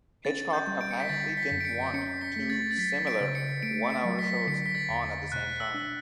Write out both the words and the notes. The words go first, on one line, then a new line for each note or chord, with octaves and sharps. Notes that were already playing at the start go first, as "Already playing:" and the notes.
Hitchcock apparently didn't want two similar one-hour shows on at the same time.
C#4 A6
G6
G3
D7
C#7
B6
D3 A6
B6
F#2
D7
C#7
C#4 C#7
B6
A3
A6
A6
F#3 B6
D7
C#3
C#7
A3 D7
C#7
F#3
B6
D3 C#7
B6
A6
E2
B2 F#6
E6
D4